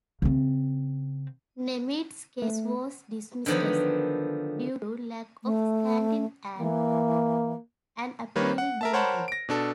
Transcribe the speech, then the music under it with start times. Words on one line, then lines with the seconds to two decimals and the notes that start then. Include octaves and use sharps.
Nemitz's case was dismissed due to lack of standing and an appeal denied.
0.22 C#3 C4
2.42 A3
3.46 D3 D#3 F3 F#3 B3
5.44 A3
6.58 E3 A#3
8.36 D#3 G3 A#3 B4 C#5
8.58 F#5
8.81 A#4 E5 A5
8.93 A#4 C5 C#5 F#5 A5 B5
9.28 A#6 D7
9.49 B2 D4 A4